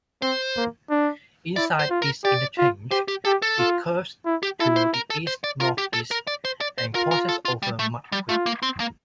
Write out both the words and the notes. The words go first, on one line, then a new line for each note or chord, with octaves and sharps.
Inside this interchange, it curves to the east-northeast and crosses over Mud Creek.
C4 C5
A#3
D4
E4 D5
C5
F4
A#4
G4 D5
F4
G4 C5
G4
G4 A4
A4
F4
E4
G4
E4 A4
C5
A#4
A4
C5
D5
F4 A#4
G4
A4
A#4
D5
C5
D5
C5
F4 A#4
A#4
A4
F4
G3
A3
G3
A3 F4
A#3
C4
A#3